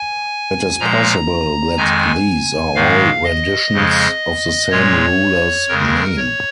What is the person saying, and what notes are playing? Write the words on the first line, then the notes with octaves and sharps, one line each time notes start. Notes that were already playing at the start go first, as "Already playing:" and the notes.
It is possible that these are all renditions of the same ruler's name.
Already playing: G#5
A#2 F3 G#3 A#5
F2 D#3 G#3 G#5
G#2 D#3 G#3 F5
D#5
F2 C#3 F3 G#3
A#2 G#3 C#5
F2 C#3 G#3 A#4
C#5